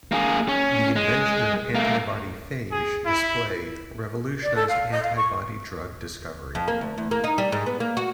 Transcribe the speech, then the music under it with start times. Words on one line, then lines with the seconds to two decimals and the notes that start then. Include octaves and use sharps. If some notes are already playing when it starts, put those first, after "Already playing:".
The invention of antibody phage display revolutionised antibody drug discovery.
0.12 A#3 G#4
0.48 C#4
0.96 G#3
1.75 A3 A#3
2.72 G#4
3.06 E4
4.43 D5
4.56 A4
4.68 F5
4.91 D#5
5.03 F5
5.17 C#6
6.55 F2
6.68 A#3
6.81 D2
6.98 E2
7.11 A#3
7.24 D#4
7.38 G3
7.52 G#2
7.66 B3
7.80 A#3
7.97 F#4